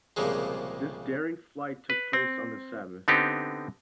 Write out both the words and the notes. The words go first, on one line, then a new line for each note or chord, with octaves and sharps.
This daring flight took place on the Sabbath.
C2 A#2 C#3 F3 G#3
B4
C4
D3 B3 C4 D#4 G4